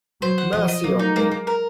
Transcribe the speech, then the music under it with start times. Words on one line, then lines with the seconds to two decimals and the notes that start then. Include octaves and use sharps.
Mercy on me!
0.21 F#3 C5
0.38 F#5
0.53 F3 D#5
0.68 D#5
0.84 F#3 A#3
0.99 D#4
1.16 G#3 A#3
1.31 A#3
1.47 A#4